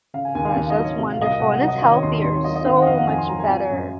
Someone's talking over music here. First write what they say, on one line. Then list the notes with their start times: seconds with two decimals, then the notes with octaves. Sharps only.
gosh, that's wonderful, and it's healthier, so much better.
0.14 C#3 F5
0.25 G#5
0.35 D#2 G#5
0.45 F5
0.56 D#2 F5
0.70 D#5
0.77 F#3
0.84 C#5
0.98 C3
1.12 F5
1.19 C2 D#5
1.26 F5
1.40 C2 F#5
1.54 F#5
1.61 F#3
1.68 D#5
1.82 D#3 D#5
1.92 C#5
2.03 D#2 C6
2.13 C6
2.24 D#2 C6
2.34 C#5
2.44 F#3 D#5
2.56 D#5
2.66 D#3 F5
2.76 F#5
2.82 D#5
2.87 F2 F5
2.97 F#5
3.08 F2 G#5
3.18 C6
3.29 F#3 A#5
3.39 G#5
3.50 F3 G#5
3.70 F#2